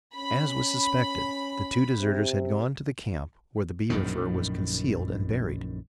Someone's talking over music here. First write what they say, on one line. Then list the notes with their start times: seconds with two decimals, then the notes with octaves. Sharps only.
As was suspected, the two deserters had gone to the camp where the beaver fur was concealed and buried.
0.16 C#4 B5
1.98 C3
3.90 A#1 F#2 A2 D#3